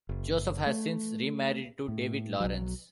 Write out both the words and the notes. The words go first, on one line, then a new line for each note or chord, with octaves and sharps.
Joseph has since remarried, to David Lawrence.
F#1
A3
A2
B1 F#3